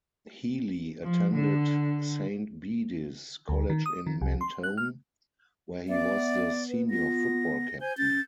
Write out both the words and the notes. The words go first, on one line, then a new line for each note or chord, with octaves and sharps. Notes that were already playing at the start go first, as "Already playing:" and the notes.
Healy attended Saint Bede's College in Mentone, where he was the senior football captain.
F3
D3
D2
D#3
D#6
D#3
C2
C6
F#6
F6
B3 D5 E5
B4
F4 A#6
C5 G#5 G6
C#4 A6